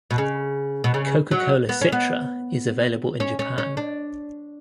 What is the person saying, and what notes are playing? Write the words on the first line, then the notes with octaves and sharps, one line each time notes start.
Coca-Cola Citra is available in Japan.
B2
C#3
B2
C#3
F#3
B3
C#4
B3
C#4
C#4
C#4
D4